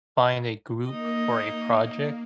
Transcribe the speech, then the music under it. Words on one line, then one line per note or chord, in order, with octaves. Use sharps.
find a group for a project,
A#3 D#4 D#5